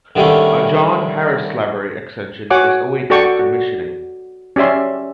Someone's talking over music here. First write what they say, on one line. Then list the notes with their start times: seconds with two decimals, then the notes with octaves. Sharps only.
A John Harris Library extension is awaiting commissioning.
0.16 D3 D#3 G3 A3 C#4
2.50 F#4 C#5 F#5 G#5 D6
3.10 F#4 A4 D5 G5 C#6
3.39 F#4
4.56 C#4 G4 D5 E5 C6